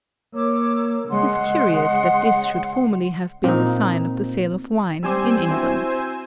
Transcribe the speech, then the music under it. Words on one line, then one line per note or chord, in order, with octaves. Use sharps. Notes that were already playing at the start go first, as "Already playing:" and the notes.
It is curious that this should formerly have been the sign of the sale of wine in England.
A#3 C#5 D6 E6
C#3 G#3 F#5 C6
A#2 C4 D#4
G3 C4 C5 G#5 D6 E6
C4 E4 F#4